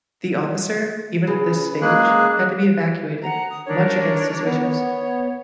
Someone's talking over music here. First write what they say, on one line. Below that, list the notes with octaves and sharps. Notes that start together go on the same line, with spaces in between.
The officer even at this stage had to be evacuated much against his wishes.
C#3 B4
G#3 A#3 G#4 F#6
F#5 A#5
D#6
D4 A#4 C#5
B3
C#5